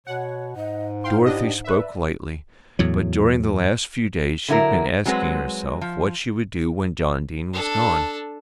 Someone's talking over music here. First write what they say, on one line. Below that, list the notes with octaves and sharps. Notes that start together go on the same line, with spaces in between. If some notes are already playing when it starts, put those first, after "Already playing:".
Dorothy spoke lightly; but during the last few days she had been asking herself what she would do when John Dene was gone.
B2 C#5 F#5
G#2 D#5
E4 F5 G5 C6
D4 G4 D#5
B4 D5 E5
E2 A2 F#3
D3 F#3 E4 A4 A#4
F#3 G#3 C4 F#4 B4
F3
D4 A4